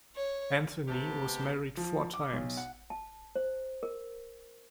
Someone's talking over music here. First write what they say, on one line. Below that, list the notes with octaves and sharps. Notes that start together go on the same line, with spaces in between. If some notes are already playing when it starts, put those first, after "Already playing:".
Anthony was married four times.
C#5
C3 A3 B3 G4 A5
F3
D6
B1
F#5
A5
C5
A#4